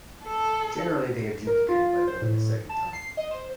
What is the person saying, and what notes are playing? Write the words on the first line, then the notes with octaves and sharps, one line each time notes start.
Generally they are duplicated by building a second tunnel.
A4
A#4
F4
C5
A2
A5
C7
D#5
C5